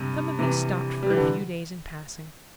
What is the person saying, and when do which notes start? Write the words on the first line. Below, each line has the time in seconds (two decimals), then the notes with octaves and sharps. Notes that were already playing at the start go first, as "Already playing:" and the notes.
Some of these stopped for a few days in passing.
Already playing: G2 C3
0.39 C3 E3
1.03 G3
1.10 E3
1.17 D3